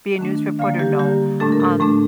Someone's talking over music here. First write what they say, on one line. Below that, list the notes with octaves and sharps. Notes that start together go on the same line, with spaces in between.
Be a news reporter, no, um,
D#3 A3 D4
D3 G3 A#3 F5
G4
D3 G3 A#3 G4
A2 A3 D4 A4
A#4
A4
A2 A3 D4 A4